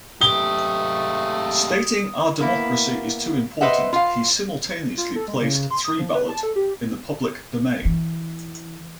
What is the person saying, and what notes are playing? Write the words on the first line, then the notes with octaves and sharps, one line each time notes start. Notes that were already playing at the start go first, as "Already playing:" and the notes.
Stating "Our democracy is too important", he simultaneously placed ThreeBallot in the public domain.
G#2 A3 G4 D#6 G7
A#3 B3 E4
B4 C5 D#5 E5 F#5
F4 F5
F4
A4
G#3
C#3
C6
D#6
F3
B4
A5
A4
G4
E3